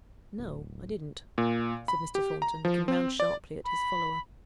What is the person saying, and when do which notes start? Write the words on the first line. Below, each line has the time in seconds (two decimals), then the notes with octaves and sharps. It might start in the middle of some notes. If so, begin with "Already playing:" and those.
'No, I didn't,' said Mr. Thornton, looking round sharply at his follower.
0.38 D1
1.38 A#2
1.88 B5
2.15 G4
2.42 A#5
2.65 F3
2.88 C4
3.20 D5
3.65 B5